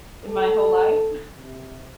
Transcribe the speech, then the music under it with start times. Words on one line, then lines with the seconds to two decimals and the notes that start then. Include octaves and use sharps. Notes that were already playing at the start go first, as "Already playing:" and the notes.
in my whole life. S
0.24 A4
1.37 C3